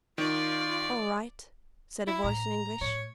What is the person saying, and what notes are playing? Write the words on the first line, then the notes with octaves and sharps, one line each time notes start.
"All right," said a voice in English.
D#3 F4 D5
E4
A2 A#5
A2 C#5